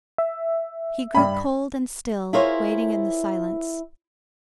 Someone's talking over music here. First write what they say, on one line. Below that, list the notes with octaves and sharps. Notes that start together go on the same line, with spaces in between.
He grew cold and still, waiting in the silence.
E5
G2 B5
E4 F4 G#4 A#4 C5 C#5